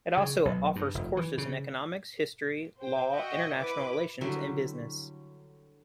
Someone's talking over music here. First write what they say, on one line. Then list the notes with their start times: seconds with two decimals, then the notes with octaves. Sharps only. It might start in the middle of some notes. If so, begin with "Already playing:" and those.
It also offers courses in economics, history, law, international relations, and business.
0.17 C#3
0.45 B1
0.76 G2
0.95 F1
1.17 E3
1.38 C#3
2.78 C5 G5
3.11 F#4 D#5 E5 F#5 G5
3.56 E4 B4 D6
4.21 D3 F#3 G3 E4